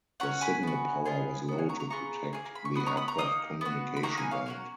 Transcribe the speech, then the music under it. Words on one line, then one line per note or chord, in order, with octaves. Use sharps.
The signal power was low to protect the aircraft communication band.
C#4 F#4 F#5 A#5
G#5 B5
B3 F#4
B3 F4 G#4
B3 F#4
F5 G#5
A#5 C#6
A#5 C#6
B3 F4 G#4 A#5 C#6
A#3 F4 G#4 G#5
A#5
B5
C#6
B3 F#4 B5 D#6
A#5 C#6
B5 D#6
A#5 C#6
A#3 D#4 D#6
B3 F#4
B5
A#3 D#4 F#4 A#5 C#6
G#5 B5
C#5 F5
A#3 C#4 F#4 A#4